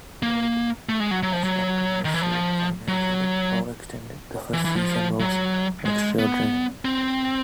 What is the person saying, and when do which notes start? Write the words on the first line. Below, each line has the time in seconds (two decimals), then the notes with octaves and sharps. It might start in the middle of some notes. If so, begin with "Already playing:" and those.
Although Astruc was soon financially overextended, the first season was extraordinary.
0.23 A#3
0.89 A3
1.00 G#3
1.11 F#3
1.23 F#3
1.33 F3
1.44 F#3
2.05 D#3
2.14 E3
2.22 F3
2.88 F#3
4.54 E3
4.65 E3
4.76 F3
5.20 F#3
5.85 G#3
6.19 B3
6.85 C4